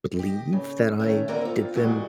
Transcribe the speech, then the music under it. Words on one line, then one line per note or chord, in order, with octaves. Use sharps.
believe that I did them
G4 D#5
C#3
D#3 A3 C#4
D3 A#3 A#4 A#5
C4 F4
E2 A#2 G3 G#3 F#4 D#5